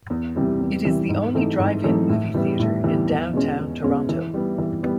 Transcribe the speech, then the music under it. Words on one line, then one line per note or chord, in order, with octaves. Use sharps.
It is the only drive-in movie theatre in downtown Toronto.
E2
C3 E3 G3 C4
E2
C3 E3 G3 C4
G#2
E3 A3 C4 D#4
G#2
E3 A3 C4 D#4
A2
E3 G3 B3
A2
E3 G3 B3
E2
B2 G#3 C#4
E2
B2 G#3 C#4
E3
G3 B3
E3
G3 B3